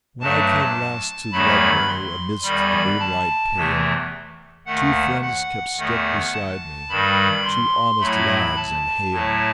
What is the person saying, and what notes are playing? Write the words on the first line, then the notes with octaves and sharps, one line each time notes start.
When I came last to Ludlow Amidst the moonlight pale, Two friends kept step beside me, Two honest lads and hale.
G2 F#3 A3 A5
E2 D#3 F#3 A3 B5
C6
E2 D#3 G3 B5
A5
E2 C3 E3 A3
D#2 D#3 A3 F#5
F#5
E2 D#3 A3
A5
G2 D#3 G3 B5
C6
A2 F#3 A3 B5
A5
A2 F#3 A3